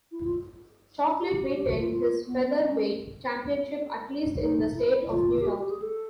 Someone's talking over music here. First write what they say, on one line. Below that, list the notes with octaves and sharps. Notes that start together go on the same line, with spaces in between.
Chocolate retained his featherweight championship at least in the state of New York.
E4
F4
G4
F#4
G4
F#4
F4
F4
B3
C4
C#4
D#4
E4
F4
G4
F#4
G4
G#4
A4